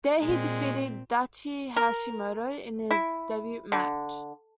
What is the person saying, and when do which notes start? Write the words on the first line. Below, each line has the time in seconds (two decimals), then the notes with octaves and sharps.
There he defeated Daichi Hashimoto in his debut match.
0.22 A#2 G#3 C4
1.76 A#4
2.91 E4
3.72 D3